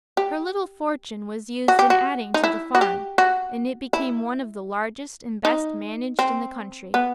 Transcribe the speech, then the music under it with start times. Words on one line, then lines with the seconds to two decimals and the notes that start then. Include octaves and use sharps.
Her little fortune was used in adding to the farm, and it became one of the largest and best managed in the country.
0.17 G4
1.68 F#4
1.79 G4
1.90 F#4
2.34 D#4
2.44 E4
2.75 F#4
2.81 G4
3.18 F#4
3.93 E4
5.45 D#4
6.19 C4
6.94 B3